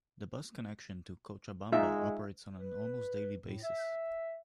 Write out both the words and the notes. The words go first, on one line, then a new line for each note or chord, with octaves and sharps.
The bus connection to Cochabamba operates on an almost daily basis.
G#3 D#4 F4 E5
B4
A2
E5